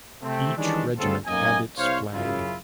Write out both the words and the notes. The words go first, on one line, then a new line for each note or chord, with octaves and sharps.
Each regiment had its flag.
C3 A3 C4
D#3 E3 G3 G#3 C#4 D4
D2 G2 C#3 C4 F4 A4
B1 F#2 F#3 A#3 D#5 G#5
C2 C5 C#5 F5
F#2 C#3 E4 F4